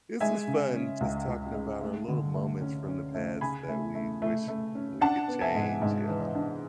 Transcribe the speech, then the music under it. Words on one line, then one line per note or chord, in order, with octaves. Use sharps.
this was fun just talking about our little moments from the past that we wish we could change, yeah, uh-hum,
G#3 E5 G#5
C#3
C#4
C#2
C#2
G#3
A3
D3
A3
C#4
C#4
A3
C#3 G#5 B5
A3
A3
A3
A3
C#4
D4 F#5 A5
B3
E5 G#5
G#2
G#2
E3
D4